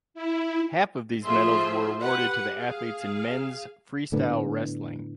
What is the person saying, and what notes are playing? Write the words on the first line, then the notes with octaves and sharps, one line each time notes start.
Half of these medals were awarded to the athletes in men's freestyle wrestling.
E4
F3 A3 F4 G#4 E5 C6
G4 B4 F#5
G#4 F5
A2 D3 B3